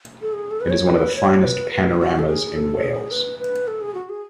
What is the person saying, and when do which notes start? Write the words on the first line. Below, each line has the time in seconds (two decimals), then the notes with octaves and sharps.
It is one of the finest panoramas in Wales.
0.22 A4
0.33 G#4
0.51 A4
0.61 B4
0.70 C#5
0.88 B4
1.16 C#5
1.44 B4
1.72 B4
1.93 F4
1.99 F#4
2.19 A4
2.28 G#4
2.56 A4
2.84 G#4
3.11 B4
3.39 B4
3.67 A4
3.81 G#4
3.94 F#4
4.09 G#4